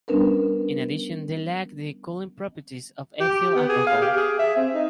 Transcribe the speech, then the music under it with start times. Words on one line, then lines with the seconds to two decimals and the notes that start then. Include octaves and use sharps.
In addition they lacked the cooling properties of ethyl alcohol.
0.08 G3 B3 C#4 D4 A#4 B4
3.20 G4
3.56 B3
3.69 G#4
3.87 F5
4.02 G4
4.16 G#4
4.39 E5
4.57 C4
4.74 D#4